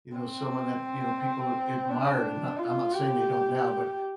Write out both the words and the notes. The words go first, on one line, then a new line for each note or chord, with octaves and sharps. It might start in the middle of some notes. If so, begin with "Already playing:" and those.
you know, someone that, you know, people ad admired, and not I'm not saying they don't now, but
C4
D4
F4
G4